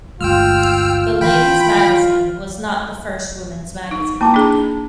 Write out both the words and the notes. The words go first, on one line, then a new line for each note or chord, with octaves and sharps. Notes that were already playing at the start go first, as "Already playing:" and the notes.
"The Lady's Magazine" was not the first women's magazine.
G1 D2 G#3 F4 G5 E6 F6
D#3 E3 G5 B5
D#4
A#3 E4 A5 D6
D4 G#4